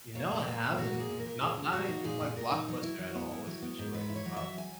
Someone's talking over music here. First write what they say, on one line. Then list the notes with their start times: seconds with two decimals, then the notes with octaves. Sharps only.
You know, I haven't. Not not anything like blockbuster at all, especially. Um,
0.15 A#3 C#5
0.31 A#2
0.47 A#3 B4
0.63 A#2
0.78 A#2 F#4
0.94 A#3
1.00 G#4
1.10 A#2
1.20 A#4
1.26 A#2
1.41 A#2 G#4
1.57 A#2
1.73 A#3 F#4
1.88 D#4
2.04 A#2 G#4
2.21 A#2
2.36 A#2 A#4
2.52 D#4
2.68 F#3
2.83 E4
2.99 F#3
3.15 B3
3.31 E4
3.47 F#3
3.62 B3
3.79 G#2
3.94 G#2 B4
4.10 E4
4.16 C#5
4.26 F#3
4.37 F#3 E5
4.58 G#5